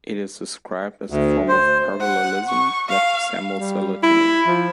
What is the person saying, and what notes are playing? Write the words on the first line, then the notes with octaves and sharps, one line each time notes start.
It is described as a form of parallelism that resembles a litany.
D2
C5
F#5
C#6
F5
G3
E4
F3